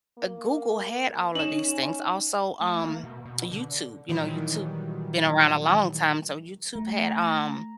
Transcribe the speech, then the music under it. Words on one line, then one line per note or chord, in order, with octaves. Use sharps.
uh, Google had all of these things. Also, um, YouTube, you know, YouTube been around a long time, so YouTube had, um,
A#3
C#4 D#4 E7 F#7
A3
A#3
B2
B2
D3
A#2 D#3 E3 F#3 G3
A3 A#5